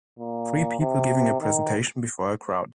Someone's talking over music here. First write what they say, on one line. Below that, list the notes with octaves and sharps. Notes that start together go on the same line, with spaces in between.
Three people giving a presentation before a crowd.
A#2
C3
D#3